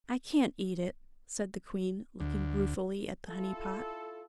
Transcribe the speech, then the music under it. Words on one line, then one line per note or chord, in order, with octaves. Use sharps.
"I can't eat it," said the queen, looking ruefully at the honey-pot.
D2
E4 F4 A4